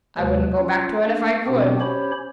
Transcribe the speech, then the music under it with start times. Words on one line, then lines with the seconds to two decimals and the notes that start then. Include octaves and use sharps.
I wouldn't go back to it if I could.
0.18 D#2 C3 F#3 G#3 B4
0.58 C#4 F4
1.05 A3 A#3 D4
1.47 B2 B3 C4 D4 F#4 G4
1.81 C#4 G4 C5 C#5 B5